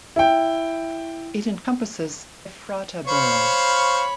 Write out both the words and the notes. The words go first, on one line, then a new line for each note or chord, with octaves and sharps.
It encompasses Ephrata Borough.
E4 G5
C5 C#5 F5 B5 C#6